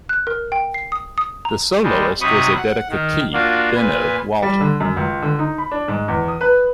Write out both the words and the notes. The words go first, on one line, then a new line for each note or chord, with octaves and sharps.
The soloist was the dedicatee Benno Walter.
F#6
A#4
G5
C7
D#6
D#6
A#5
G3 G#3
C3 F#3 D#4 B5 C#6 D#6
F#5
D#3
A#3 D4 F4 F#4
A#2 B4 G#5
G3
D3
F#2
C#2
D3
D#4
B5
D4
G#2
E2
D#6
B4